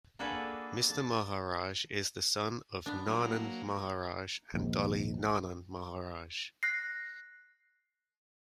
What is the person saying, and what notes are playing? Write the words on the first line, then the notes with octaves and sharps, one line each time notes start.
Mr. Maharaj is the son of Nanan Maharaj and Dolly Nanan Maharaj.
A#3 D4 F#4 G#4 A4 B4
A5
B3 D4
F#3 A#3
A#1 D#2 G#2
F#6 A#6 C7